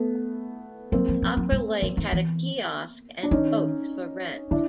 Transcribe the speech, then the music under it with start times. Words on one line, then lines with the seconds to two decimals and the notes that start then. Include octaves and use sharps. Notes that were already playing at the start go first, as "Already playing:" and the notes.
Its upper lake had a kiosk and boats for rent.
Already playing: A3 B3
0.92 F#3 A#3 C4
1.08 F3
1.22 F3
1.37 F#3
1.52 G3
1.82 F3
1.97 D#3
2.13 E3
3.23 D4
3.31 D#3 C#4 D#4
4.51 D3 D4 E4